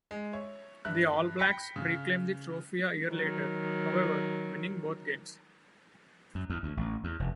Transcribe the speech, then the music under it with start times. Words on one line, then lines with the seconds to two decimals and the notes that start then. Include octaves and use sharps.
The All Blacks reclaimed the trophy a year later, however, winning both games.
0.11 G#3
0.33 C#5 E5
0.85 G2 E5 F#6
1.39 G5 B5 A#6 B6 C#7
1.76 C#3
3.09 D#3 F#3
6.35 F#2
6.50 E2
6.63 D2
6.77 A1
7.04 E2
7.20 F1